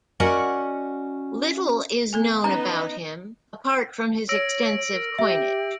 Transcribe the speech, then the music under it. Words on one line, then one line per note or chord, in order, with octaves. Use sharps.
Little is known about him, apart from his extensive coinage.
C#4 F#4 A#4 D5 D#5 F#5
B3 A4 G#5
B3 C#4 D#4 B4 D#5 A#5
C#5 E6 A#6 D7
A#4
G4 E5